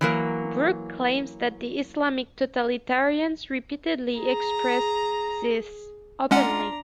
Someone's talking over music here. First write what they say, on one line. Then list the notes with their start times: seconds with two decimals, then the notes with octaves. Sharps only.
Brook claims that the Islamic totalitarians repeatedly express this, openly.
0.01 E3 F#3 A#3
4.16 G#4 A#5
6.31 G#3 C#4 D4 F4 F#5 A#5